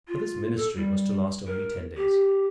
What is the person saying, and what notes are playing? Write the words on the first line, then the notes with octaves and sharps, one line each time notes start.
But this ministry was to last only ten days.
F4
A4
G3
A#4
G4